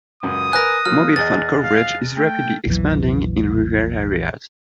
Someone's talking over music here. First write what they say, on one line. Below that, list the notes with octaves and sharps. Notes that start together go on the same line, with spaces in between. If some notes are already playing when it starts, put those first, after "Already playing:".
Mobile phone coverage is rapidly expanding in rural areas.
C#2 F#2 D#6
A#4 B4 G#5 F#6 A#6
F3 F#3 A#3 F6
E2 G#4 D#5 A6
F5
A3 G5
A#1 E2 E3 F#3